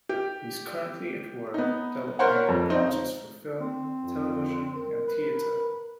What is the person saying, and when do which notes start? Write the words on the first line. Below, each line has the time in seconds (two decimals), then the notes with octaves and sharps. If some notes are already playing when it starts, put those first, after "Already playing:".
He is currently at work developing projects for film, television, and theater.
0.09 G4
1.54 B3 D#4
2.19 A#4 C5 C#5 F#5
2.49 F2
2.70 C4 D#4
3.61 C4
4.03 F2
4.75 A#4
5.08 B4